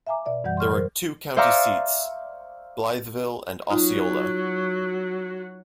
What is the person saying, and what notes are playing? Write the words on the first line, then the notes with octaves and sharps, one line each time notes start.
There are two county seats, Blytheville and Osceola.
E5 F5 G#5 A#5 D6
B2 D5 E5
F#2 E3 G3 D5 F#5 G6
C6 C#6 F6
F#3 A#4 C5
C5 D5 E5 F5 A#5 C#6
F#3 D#4 F4 F#4